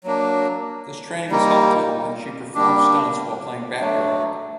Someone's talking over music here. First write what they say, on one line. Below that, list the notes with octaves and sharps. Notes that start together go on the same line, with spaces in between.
This training was helpful when she performed stunts while playing Batgirl.
F#3 A#3 D4
G3 A#3 D#4
G3 A#3 D4 G4
F#3 A3 D4